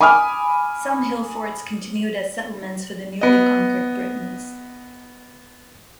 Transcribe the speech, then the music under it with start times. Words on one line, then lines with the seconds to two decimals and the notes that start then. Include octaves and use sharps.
Some hill forts continued as settlements for the newly conquered Britons.
0.01 G#5 B5 D6 D#6 F6
3.21 B3 D#5